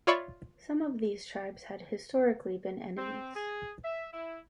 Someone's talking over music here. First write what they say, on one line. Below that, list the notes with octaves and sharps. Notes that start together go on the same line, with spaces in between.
Some of these tribes had historically been enemies.
F4 C#5 D5 E5 B5 C#6
C4
G#4
E5
E4